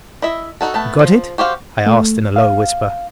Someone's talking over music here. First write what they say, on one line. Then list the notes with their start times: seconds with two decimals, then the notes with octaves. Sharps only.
"You got it?" I asked in a low whisper.
0.22 E4 D#5 E5
0.61 D#4 F#4 A4
0.74 A3 B3 A5
0.99 F3
1.38 F#4 G4 C5 F5
1.86 A3
2.36 F5